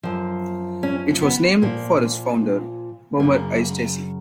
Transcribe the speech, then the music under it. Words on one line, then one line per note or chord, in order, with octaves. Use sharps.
It was named for its founder, Homer I. Stacy.
F#2 F3
C#4
B3
A#2 F3 A#3
F#2 C#3 F#3 A#3